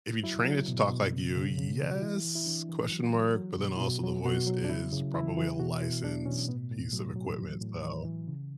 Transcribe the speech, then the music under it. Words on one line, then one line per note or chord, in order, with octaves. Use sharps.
If you train it to talk like you, yes, question mark? But then also the voice is probably a licensed piece of equipment. So
F#3 E4
F#3
B2
B2
C#3
C#3
C#3
E3
F#4
E3 E4
E3
E4
E3 D4
E3
F#3
F#3
F#3
B2
E4
B2 F#4
F#3
B2 F#4
F#3
D4
C#3 E4
C#3
E3 E4
E3
B2 F#4
B2 E4
F#3 D4
B2 C#4
A2 B3
A2
A2 F#3
F#3
E3
A2
E3
E3
C#3